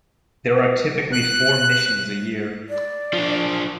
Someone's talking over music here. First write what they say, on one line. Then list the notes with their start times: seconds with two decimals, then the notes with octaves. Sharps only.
There are typically four missions a year.
1.13 F#6
2.69 D5
3.13 F3 D4